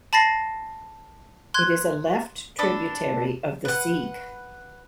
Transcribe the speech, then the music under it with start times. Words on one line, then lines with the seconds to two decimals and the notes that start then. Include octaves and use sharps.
It is a left tributary of the Sieg.
0.13 A5 B5 A6 A#6 C7
1.54 C6 F#6 G#6
2.59 D4 A4 B5
3.65 B4 F#5